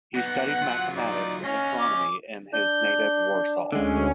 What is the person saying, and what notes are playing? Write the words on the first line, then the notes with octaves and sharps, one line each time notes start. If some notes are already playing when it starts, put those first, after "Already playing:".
He studied mathematics and astronomy in his native Warsaw.
B3 D#4 F#5
F#3 F4
D#4 D5
C#4 D#5 F5
D6
D4 G6
D2 D3 G#3 C#4